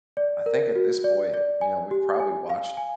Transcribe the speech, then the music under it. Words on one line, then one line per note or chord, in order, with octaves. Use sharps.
I think at this point, you know, we've probably watched
D5
A#4
F#4
D5
D5
G#5
G4
G#5
F5
G#5